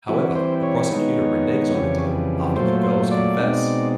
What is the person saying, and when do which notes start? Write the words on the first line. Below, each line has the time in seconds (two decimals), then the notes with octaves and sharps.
However, the prosecutor reneges on the deal after the girls confess.
0.08 E3 G3 C4 E4 F#4
0.35 C5
0.63 C#5
0.90 D#3 G#3 B3 D#4
1.73 F2 C#3 E3 G3
2.56 A#2 F#3 A3 C5
2.83 C5
3.11 D5
3.38 B2 G#3 C4 D#4